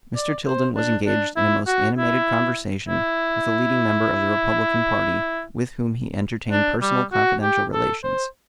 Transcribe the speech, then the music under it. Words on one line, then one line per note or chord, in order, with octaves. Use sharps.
Mr. Tilden was engaged in a most animated conversation with a leading member of the Republican party with whom he entertained personal confidential relations.
D5
C5
D4
D4
E4
F#4
E4
E4
D4
G3
F#4
G4
A4
C5